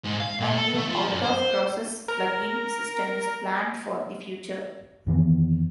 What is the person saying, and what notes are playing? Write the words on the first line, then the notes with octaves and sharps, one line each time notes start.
A new, out-of-process plugin system is planned for the future.
G#2
F5
A#2
A4
A3
F3
F#2
C5
A#4
F2 D#3 E3 B3